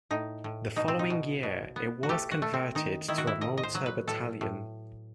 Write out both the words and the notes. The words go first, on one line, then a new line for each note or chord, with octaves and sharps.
The following year, it was converted to a motor battalion.
A2 D#4
A2
B2 D#4
C4
D#4
B2
B2
B3
F#4
A3 G4
F#4
A3
C4
D#3 D#4
D#3 E4
F#4
E4
A2 D#5
D#5
C5
F#3
B4
A2 A4
A2